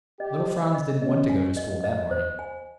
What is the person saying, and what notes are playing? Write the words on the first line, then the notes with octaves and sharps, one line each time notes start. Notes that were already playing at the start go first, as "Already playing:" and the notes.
Little Franz didn't want to go to school, that morning.
G4 D#5
D#5
D#5
C#4 D#5
G#5
D#5
D#5
C5
G#5